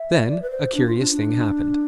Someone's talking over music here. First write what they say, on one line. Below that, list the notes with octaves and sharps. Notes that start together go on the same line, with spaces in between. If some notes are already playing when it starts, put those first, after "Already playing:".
Then a curious thing happened.
Already playing: E5
D5
B4
C5
D4
F4
D4
D4